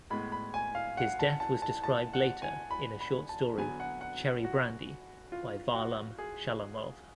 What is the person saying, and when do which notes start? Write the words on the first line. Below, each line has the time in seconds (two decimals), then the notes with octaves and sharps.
His death was described later in a short story "Cherry Brandy" by Varlam Shalamov.
0.10 A2 G#3 B3 B5
0.32 B5
0.54 G#5
0.75 F5
0.97 F#5
1.19 A5
1.40 A5
1.62 A5
1.83 A5
2.13 F#5
2.42 G#5
2.71 B5
3.00 B5
3.29 A5
3.58 D3 F#3 B3 G#5
3.80 F#5
4.01 F#5
4.45 F#4
5.32 F4
5.75 F#4
6.19 G#4